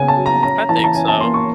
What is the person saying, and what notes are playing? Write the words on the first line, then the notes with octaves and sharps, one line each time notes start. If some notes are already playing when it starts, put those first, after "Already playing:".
I think so.
Already playing: C#3 B3 G#5
A5
F#3
A#5
C#4 A#5
E3 A5
A#5
A5
C#4 G#5
A5
A#3 C6
C#6